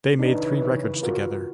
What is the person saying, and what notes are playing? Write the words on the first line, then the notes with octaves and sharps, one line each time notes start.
They made three records together.
C#3 E3 D4 D#4
F4 F#4 A#4